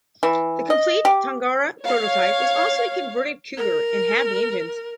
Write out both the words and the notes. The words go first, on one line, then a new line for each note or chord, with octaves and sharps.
The complete Tangara prototype was also a converted Cougar and had the engines.
E3
D#5
G4
C#5 F5
A#4